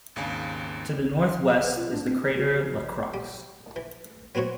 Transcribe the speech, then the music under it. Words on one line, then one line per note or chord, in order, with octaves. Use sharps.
To the northwest is the crater Lacroix.
G#1 D#2 C#3 D4 F5 G#5
F5
B4
F4
D4
C4
G#4
F#4
G4
G3
E3
F#3 B3 C4 F#4 C#5